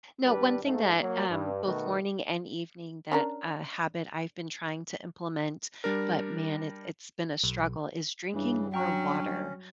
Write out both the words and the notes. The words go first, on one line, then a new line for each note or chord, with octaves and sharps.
no, one thing that, um, both morning and evening that a habit I've been trying to implement- but, man, it it's been a struggle- is drinking more water,
G#1 G3 D4 B4
G#2 A3
F#3 A#3
G2
B2 D#3 A3 B3 F#4
C#4 D4 A#4
G3 D4 A#4
B1
G2 C#3 E3
F#3 C#4 G5 A#5 C#6